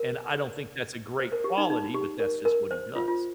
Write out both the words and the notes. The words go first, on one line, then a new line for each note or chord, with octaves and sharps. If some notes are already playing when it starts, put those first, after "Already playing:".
and I don't think that's a great quality, but that's just what he does.
Already playing: A#4
C5
A#4
G4
D#4
D#4
G4
A#4
A#4
C5
F4
F4